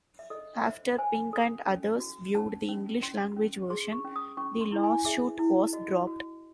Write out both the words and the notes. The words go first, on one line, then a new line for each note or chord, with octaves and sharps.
After Pink and others viewed the English-language version, the lawsuit was dropped.
E5
A4 D#5
C5 E5
C5 G#5
A4
C#4
F#4
C#4 A5
C#4
C#4 C6
C#4
G#4 C6
C#6
C#4
D#6
C#4 C#6
C6
E4
G#5
G#4 E5
E4
F#4 D#5
F#4